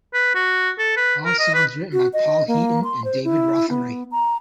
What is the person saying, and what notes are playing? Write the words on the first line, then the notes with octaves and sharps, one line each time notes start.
All songs written by Paul Heaton and David Rotheray.
B4
F#4
A4
B4
A#4
D#5
B4
F#4
D#5
A#3
C6
C5
E4
B3
A#5